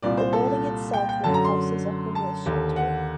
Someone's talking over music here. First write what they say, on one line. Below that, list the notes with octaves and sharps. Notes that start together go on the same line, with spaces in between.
The building itself now houses a homeless shelter.
C2 A#2 D5
C5
A4
G5
G5
F#2 D3 A5
A#5
C6
A5
D#2 D3
F#5